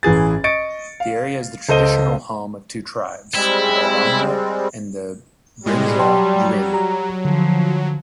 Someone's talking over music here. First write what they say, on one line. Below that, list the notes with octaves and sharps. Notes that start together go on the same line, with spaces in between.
The area is the traditional home of two tribes: the Walbanga and the Brinja-Yuin.
A1 E3 G#4 A6
D#5 C#6 A6 C#7 D7
F5
C#2 A4 C5 D#5 D#7 G7
G3 G#3 C4 E4
A2 G3 G#3
F#3 G5 A5 C6
G4 A#5
D3 F3